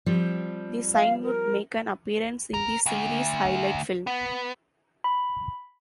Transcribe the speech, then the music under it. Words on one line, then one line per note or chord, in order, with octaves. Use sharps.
The sign would make an appearance in the Series highlight film.
F3 G3 C4
F5
A#4
A#4
D2
B3
B5